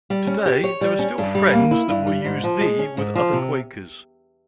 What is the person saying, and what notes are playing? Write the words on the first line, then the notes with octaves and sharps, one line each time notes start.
Today there are still Friends that will use "thee" with other Quakers.
G3
C#4
G4
C#5
G3
C#4
G2
G3
A#3
E4
G2
G3
G#2
F3
G#3
C#4
G#2
F3
C3